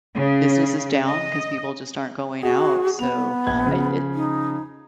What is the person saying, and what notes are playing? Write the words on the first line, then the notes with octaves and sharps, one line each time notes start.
business is down 'cause people just aren't going out, so, I it
C#3
D#5
F#4 G#4 F#5
B3 F7
A#1 G#6
C#3 F3
D#4